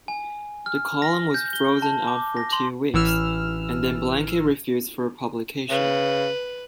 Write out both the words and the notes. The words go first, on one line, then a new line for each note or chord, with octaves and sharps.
The column was frozen out for two weeks and then blanket-refused for publication.
G#5
F6
A#6
G6
G7
A5
D6
A#6
C6
A1 E3 E6 F6
C#3 B4